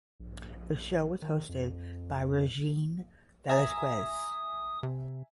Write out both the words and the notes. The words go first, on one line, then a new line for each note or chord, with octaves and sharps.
The show was hosted by Regine Velasquez.
A#1
D#3
F2
E5 G#5 A#5 D#6
C3